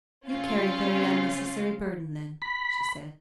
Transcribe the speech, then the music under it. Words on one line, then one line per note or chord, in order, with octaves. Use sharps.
"You carry a very unnecessary burden then," she said.
C#3 C4 C#4 F4
B5